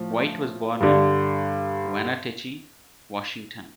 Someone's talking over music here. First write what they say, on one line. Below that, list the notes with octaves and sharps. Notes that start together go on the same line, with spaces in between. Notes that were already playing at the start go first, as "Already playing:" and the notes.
White was born in Wenatchee, Washington.
Already playing: A2 F3
G2 D3 G3